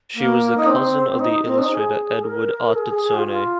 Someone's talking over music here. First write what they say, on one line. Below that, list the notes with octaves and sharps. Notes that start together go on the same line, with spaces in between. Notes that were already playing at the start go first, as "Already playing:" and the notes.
She was the cousin of the illustrator Edward Ardizzone.
A#3
D#4
C4
D#4
C4
D#4
G#4
A#4
G#4
G#4
G#4
F4
F4